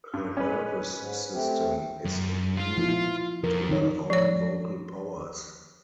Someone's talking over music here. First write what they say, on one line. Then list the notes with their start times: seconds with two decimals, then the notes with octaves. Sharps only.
Her nervous system is immune to her own vocal powers.
0.14 G2
0.37 G#3 C#4 B4
0.97 G#2
1.34 A3 C4 G4
2.05 F#2
2.57 F4
2.78 F3 E4
3.44 F2 A#4
3.69 D#3 D#4 C#5
4.10 F3 C#5